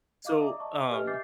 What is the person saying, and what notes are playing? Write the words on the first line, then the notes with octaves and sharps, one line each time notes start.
so, um,
D#5 F5 D6
D5 E5 A#5 D6 D#6
D#5 E5 A5 C#6
F7
G4 B4 D#5 E5 G#5 F6
G#5 D6 G6 A6 C7